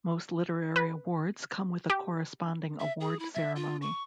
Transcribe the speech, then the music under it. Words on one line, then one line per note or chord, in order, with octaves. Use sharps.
Most literary awards come with a corresponding award ceremony.
B4
G4
E5
G#4
E4
E5
F4
C#6